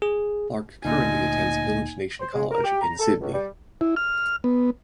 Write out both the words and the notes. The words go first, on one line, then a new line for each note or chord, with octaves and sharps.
Clarke currently attends Village Nation College in Sydney.
G#4
D2 A#2 A#3 D#4 D#5 G#5
C5
G#3
A#4
G4
A#5
A4
C#2
G3
E4
F6
B3